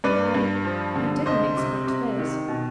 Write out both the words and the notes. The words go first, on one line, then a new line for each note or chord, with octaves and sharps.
I--I--didn't expect this.
G2 B4 D5
G2
F3
D3
C2 C5 D#5
C3
C3
D#3
B2